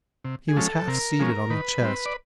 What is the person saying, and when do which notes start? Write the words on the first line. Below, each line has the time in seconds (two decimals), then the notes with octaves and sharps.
He was half seated on the chest.
0.24 C3
0.49 G#4
0.56 F3 G#3 C#4 A4
0.88 C3 A#4
1.19 F3 G#3 C#4
1.50 D#3 B4
1.82 G3 C4
2.06 D5